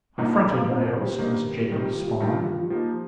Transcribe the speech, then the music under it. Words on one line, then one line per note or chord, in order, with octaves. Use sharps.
I fronted my host, this Jacob Spawn.
G2 F3 A#3 D#4 G4 A#5
A#5
F5
F2 F3 C4 C5
C5
A#4
G4
G2 D#3 A#3 D#4
C3 D#3 G3 F4
G4
F4
G4
G2 D#3 G3 F4
F4
G4
F4
F3 A#3 D#4 G4